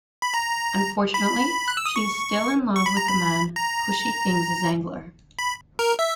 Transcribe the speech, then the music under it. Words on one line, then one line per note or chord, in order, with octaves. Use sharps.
Unfortunately, she is still in love with the man who she thinks is Zangler.
B5
A#5
B5
F#6
E6
D#6
C#6
C#6
B5
A#5
B5
A#5
B5
A#4
E5